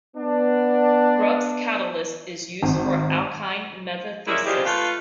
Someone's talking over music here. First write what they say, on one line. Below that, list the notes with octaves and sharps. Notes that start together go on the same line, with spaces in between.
Grubbs' catalyst is used for alkene metathesis.
B3 D4
G#1
F#2 A#2 G#3 C#4 E4
C#3 F3 G3 G#3 F4 G4
A3 F4 B4